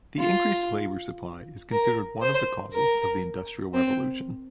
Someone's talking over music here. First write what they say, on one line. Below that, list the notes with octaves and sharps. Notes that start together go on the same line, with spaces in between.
The increased labour supply is considered one of the causes of the Industrial Revolution.
F4
A#4
C5
A#4
C4